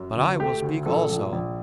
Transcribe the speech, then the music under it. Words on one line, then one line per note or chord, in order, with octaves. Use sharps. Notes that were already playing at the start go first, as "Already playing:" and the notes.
"But I will speak also!"
Already playing: F#2
D2
A3 G4
D2
A#1 A4
A#1
A#1